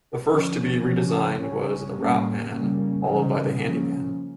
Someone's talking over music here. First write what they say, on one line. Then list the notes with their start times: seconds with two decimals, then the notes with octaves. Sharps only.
The first to be redesigned was the Routeman, followed by the Handyman.
0.25 D3 F3 C#4
0.82 C#3 F3 C#4
1.37 C#3 G3 C#4
1.94 A2 G3 A#3 C#4
2.49 C#3 G3 A#3 C#4
3.06 C#3 E3 G3 C#4
3.61 C#3 F3 A#3 C#4